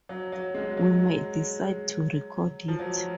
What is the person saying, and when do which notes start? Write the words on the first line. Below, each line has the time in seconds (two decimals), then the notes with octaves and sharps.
We may decide to record it.
0.09 F#3
0.32 F#3
0.54 G#3
0.77 F#3
2.68 F3
2.79 F#3